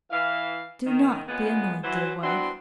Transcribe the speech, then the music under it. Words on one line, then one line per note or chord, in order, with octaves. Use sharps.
'Do not be annoyed, dear wife.
E3 F5
D#3
A#2 C#3 G#3 A#3 B3
E3 F#3 C5
E3 B3 C4 D4 F#4 C6